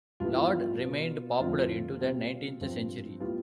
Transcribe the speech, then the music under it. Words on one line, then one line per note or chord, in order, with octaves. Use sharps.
"Laude" remained popular into the nineteenth century.
G2 E3 G3 B3 F4
E4
F4
B2 B3
F2 D3 A3 C4 F4
B2 G3 C4
G2 F3 C4
A2 G3 B3 F4